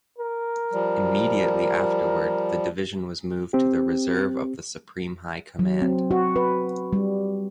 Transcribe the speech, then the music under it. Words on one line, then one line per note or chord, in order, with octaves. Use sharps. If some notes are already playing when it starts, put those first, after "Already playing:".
Immediately afterward the division was moved to the Reserve of the Supreme High Command.
A#4
F3 G3
C4 G4
F#3
C4
F#4
B4
G3